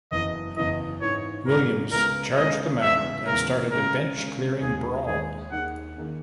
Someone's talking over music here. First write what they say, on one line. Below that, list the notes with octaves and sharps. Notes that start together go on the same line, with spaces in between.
Williams charged the mound and started a bench-clearing brawl.
F#1 E2 C#3 E3 D#5
F#1 E2 C#3 E3 D#5
G#2 E3 G#3 D#4 C#5
G#2 E3 G#3 D#4 A#4
C#2 C#3 G#3 B3 A#4
C#2 C#3 G#3 B3 D#5
E2 C#3 G#3 E5
E2 C#3 G#3 A#4
C#3 G#3 C#4 G#4 A#4
C#3 G#3 C#4 G#4
D#2 D#3 G#3 G#4
D#2 D#3 G#3 G#4
D#2 D#3 A#3 D#4 G#4 F#5
D#3 A#3 D#4 G#4